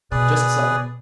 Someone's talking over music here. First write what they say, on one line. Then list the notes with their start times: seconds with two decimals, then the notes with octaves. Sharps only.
"Just so."
0.12 B2 G#4 B4 D5